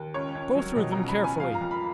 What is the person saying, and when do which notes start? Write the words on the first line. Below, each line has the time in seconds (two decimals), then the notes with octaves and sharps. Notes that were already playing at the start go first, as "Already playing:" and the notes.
Go through them carefully.
Already playing: D#2
0.14 C#2 C#5
0.35 C#2
0.55 F#3
0.76 B2 D#5
0.92 A#5
0.97 C#2
1.09 B5
1.19 C#2
1.24 G#5
1.40 F3 F5
1.55 A#5
1.61 F2
1.71 B5